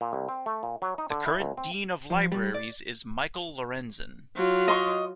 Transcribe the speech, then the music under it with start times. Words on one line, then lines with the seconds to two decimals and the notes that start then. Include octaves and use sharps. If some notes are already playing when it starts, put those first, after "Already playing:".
The current Dean of Libraries is Michael Lorenzen.
0.01 A#2
0.13 C2
0.29 C4
0.46 A3
0.63 A#2
0.82 F#3
0.98 D#4
1.11 D3
1.26 E4
1.40 C#2
1.57 C4
2.10 F3
2.32 G3
2.55 D5
4.36 F#3 F4
4.68 D#5 C6 C#6